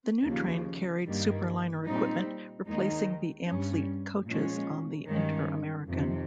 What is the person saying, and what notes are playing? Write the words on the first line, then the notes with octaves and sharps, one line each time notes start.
The new train carried Superliner equipment, replacing the Amfleet coaches on the "Inter-American".
D#2 C#3 F3 A#3
G2 D#3 G3 A#3
A#2 G3 C4 D#4
D#2 D#3 G#3 D#4
G2 G3 C#4
A#2 F3 G#3 C#4
G2 D#3 G#3 C#4
F2 C3 D#3